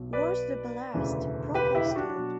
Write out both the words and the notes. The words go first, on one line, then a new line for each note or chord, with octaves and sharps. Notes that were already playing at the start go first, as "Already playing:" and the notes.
Was the ballast properly stowed?
Already playing: B1 B2 F#3
B4 D5
E1 D2 C#3 E3
G4 B4
E4 G4
G4
D4 F#4
B2 F#3